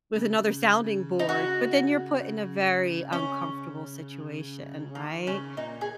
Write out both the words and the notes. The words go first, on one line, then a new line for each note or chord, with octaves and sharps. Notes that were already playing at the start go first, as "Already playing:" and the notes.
with another sounding board," but then, you're put in a very uncomfortable situation, right?
C#3
C#3
C#3
D#4
C#3 F#4
C#3
C#3
C#4
D#3 A#3
C#3 C#4
A#2 D#4
G#4